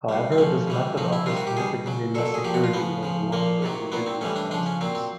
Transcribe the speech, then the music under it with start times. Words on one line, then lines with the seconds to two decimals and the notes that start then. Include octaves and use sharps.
However, this method offers significantly less security than the one for individual transfers.
0.09 B2 G3
0.32 C4
0.38 A2 F3 C#4
0.67 C#3 E3 G3
0.97 C#3 F3 D#4
1.13 E4
1.26 C3 D#3 G3 F4
1.37 F#4
1.47 G4
1.56 B2 G3 G#4
1.86 C#3 F#3
2.15 A#2 A4
2.18 F#3
2.25 A4
2.34 G#4
2.44 A#2 F3 G4
2.54 F#4
2.64 F4
2.73 C#3 F3 B3
3.03 C#3 F3
3.32 A#2 F3 A#3
3.62 C3 D#3 F#3
3.92 A#2 F#3 B3
4.06 C4
4.21 A2 E3 G3 C#4
4.36 D4
4.51 C#3 F3 D4
4.66 C#4
4.81 A#2 F#3 C4
4.95 C4